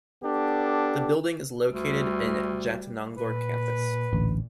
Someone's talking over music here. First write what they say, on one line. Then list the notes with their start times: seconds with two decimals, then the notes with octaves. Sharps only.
The building is located in Jatinangor campus.
0.23 B3 D4 G4 A4
1.71 D2 G3
3.17 A#2 B4
4.13 A1 D2